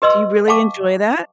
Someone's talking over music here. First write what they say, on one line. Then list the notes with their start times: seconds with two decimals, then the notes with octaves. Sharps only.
Do you really enjoy that?
0.02 G4 B4 D#5 C6 E6
0.48 F5 G5 A5 C#6 D6